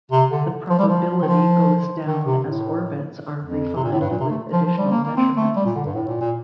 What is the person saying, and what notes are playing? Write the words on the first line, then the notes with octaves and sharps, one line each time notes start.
The probability goes down as orbits are refined with additional measurements.
C3
D3
F3
G3
F3
D#3
F3
D#3
C3
A2
F2
C3
A#2
A2
G2
A#2
C3
A3
F3
F3
G3
A#3
A#3
C4
A3
G3
A#2
D3
G2
A2
A#2
A#2